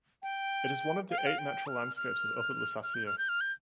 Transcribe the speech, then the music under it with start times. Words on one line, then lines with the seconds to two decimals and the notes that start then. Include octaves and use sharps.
It is one of the eight natural landscapes of Upper Lusatia.
0.23 G5
1.10 F5
1.18 G5
1.27 F5
1.38 G5
1.67 F6
1.96 F6
2.83 F6
2.94 G6
3.06 F6
3.18 G6
3.29 F6
3.41 G6